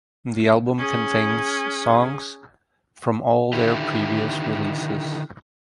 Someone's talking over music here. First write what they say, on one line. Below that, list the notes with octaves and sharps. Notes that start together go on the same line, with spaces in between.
The album contains songs from all their previous releases.
C#4 G#4
D3 D#3 E4 G4